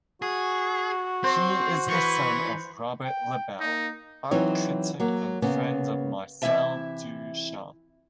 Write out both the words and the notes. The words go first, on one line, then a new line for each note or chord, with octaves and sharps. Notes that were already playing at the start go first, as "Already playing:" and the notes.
He is the son of Robert Lebel, art critic and friend of Marcel Duchamp.
F#4 G#4
C4 C5
E3 B4 C#6
G5
A#3 D#4
E3 F#3 C4 D#4 C#5
F#3 A#3
C#3 A#3 B3
C3 E3 F3 E4 E5 A5